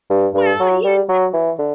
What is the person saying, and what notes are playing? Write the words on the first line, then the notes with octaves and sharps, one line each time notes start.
Well, you
G2
G2
F#3
G3
F#3
E3
D3